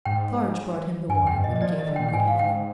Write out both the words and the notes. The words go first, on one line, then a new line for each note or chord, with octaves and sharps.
Defarge brought him the wine, and gave him Good Evening.
G#2 G5
G2 G#5
F2
G5
G2
D#5
A#2
D#5
F3 D5
D#3
D#5
D3
G5
A#2
G5
G#2 G#5
F5
G5